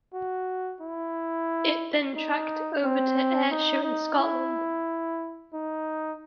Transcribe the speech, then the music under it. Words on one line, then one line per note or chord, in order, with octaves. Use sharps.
It then tracked over to Ayrshire in Scotland.
F#4
E4
D#4
C4
D#4
D#4
E4
D#4